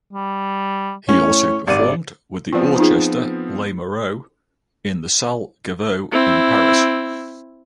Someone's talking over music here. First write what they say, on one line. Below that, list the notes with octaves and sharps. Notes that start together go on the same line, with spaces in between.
He also performed with the Orchester Lamoureux in the Salle Gaveau in Paris.
G3
A2 C#4 C#5
G#1 C3 D5 D#7
F3 B3 C4 F4 D5
D#4 F4 G#4
C4 E4